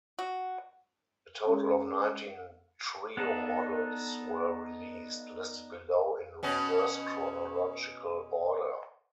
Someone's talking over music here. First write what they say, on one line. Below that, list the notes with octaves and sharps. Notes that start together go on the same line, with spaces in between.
A total of nineteen Treo models were released, listed below in reverse chronological order.
F#4
G#3 C#4
B3 D4 D#4 A4
B2 C#4